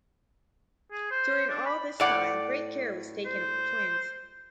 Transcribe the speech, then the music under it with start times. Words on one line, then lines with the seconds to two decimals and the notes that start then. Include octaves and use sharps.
During all this time great care was taken of the twins.
0.91 G#4
1.11 C5
1.49 D4
1.66 B5
2.00 A2 D5 F#5
3.26 C5